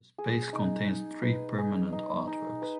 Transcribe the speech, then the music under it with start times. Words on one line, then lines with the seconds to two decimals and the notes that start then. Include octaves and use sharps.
The space contains three permanent artworks.
0.18 G#4
0.53 D#4
0.88 D#4
1.22 B4
1.58 G#4
1.93 D#4
2.27 D#4
2.62 B4